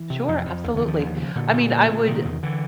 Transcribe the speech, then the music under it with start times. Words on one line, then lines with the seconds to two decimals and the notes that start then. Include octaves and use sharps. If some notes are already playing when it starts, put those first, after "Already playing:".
Sure, absolutely. I mean, I would
Already playing: E3
0.10 C3
0.28 F2
0.46 F2
0.64 D#2 D#3
0.76 D3 E3
0.82 D#2
0.87 D#3 F3
1.00 D#2
1.17 C#3
1.36 A#2 D3
1.53 A#2
1.71 A#2
1.89 A#2
2.07 C3 D#3
2.25 E2
2.43 D3 E3